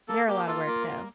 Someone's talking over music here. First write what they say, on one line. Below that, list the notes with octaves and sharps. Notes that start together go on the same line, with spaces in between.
They're a lotta work though.
A#3 A4
A#3 G4
F4 A4
A#3 A#4
F4